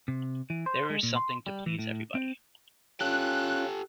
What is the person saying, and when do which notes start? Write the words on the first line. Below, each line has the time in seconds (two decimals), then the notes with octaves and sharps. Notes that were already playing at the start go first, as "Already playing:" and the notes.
There is something to please everybody.
0.08 C3
0.50 E3
0.66 C5
0.90 G#3
1.03 A#2
1.16 C6
1.47 G3
1.66 E3
1.79 A2
2.15 C4
3.01 C#4 F4 G4 A4 F#6